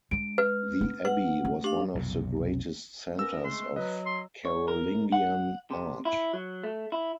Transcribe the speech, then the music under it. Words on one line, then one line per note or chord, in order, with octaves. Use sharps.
The abbey was one of the greatest centres of Carolingian art.
G#3 D4 D7
B4 F6
B3 D4
B4 F#5
A3
D4 G4 F5
B1 F2 C3
B3 C#4 A#4 E6
G#3 A3 C6
F#3 B4 D#5
C6
C#5
A#4
F#5
C3
E4
F#3
A3
E4